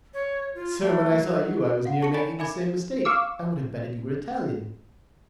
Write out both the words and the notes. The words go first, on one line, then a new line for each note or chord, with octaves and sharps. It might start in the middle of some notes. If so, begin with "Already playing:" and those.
"Sir, when I saw you, I was near making the same mistake; I would have betted you were Italian."
C#5
F4
A3
F#3
F5 F#5
A5 C#6 A#6 C#7
C#5 D5 G#5 B5 A6 D7
A#4 E5 G#5 B5 D6 G#6
F5 C#6 D6 E6